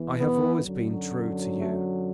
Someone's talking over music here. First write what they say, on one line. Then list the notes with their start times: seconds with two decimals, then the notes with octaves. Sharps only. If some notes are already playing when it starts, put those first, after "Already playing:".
I have always been true to you.
Already playing: E2 E3
0.17 B3
0.64 F#2 D3 F#3
1.59 A3